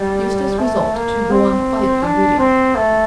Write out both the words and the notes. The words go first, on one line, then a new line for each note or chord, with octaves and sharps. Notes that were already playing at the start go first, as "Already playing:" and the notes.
Eustace resolved to go on quietly reading.
Already playing: G3
A3
A#3
C4
D4
C4
A3